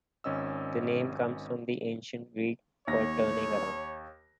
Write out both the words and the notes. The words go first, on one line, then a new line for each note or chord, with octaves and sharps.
The name comes from the ancient Greek for "turning around".
G#1 C#4 D#5 E6
D#2 C#5 A#6